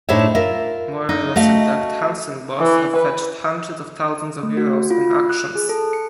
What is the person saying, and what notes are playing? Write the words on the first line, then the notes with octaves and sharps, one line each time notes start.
More-or-less intact Hansen balls have fetched hundreds of thousands of Euros in auctions.
A2 D4 D#4 C5 C#5 E5
F4 A#4 E5
D#4
A3 F#4 D#5 F5
E3
B4
A3
F#4
F4
F#6
G#4
A4
C#7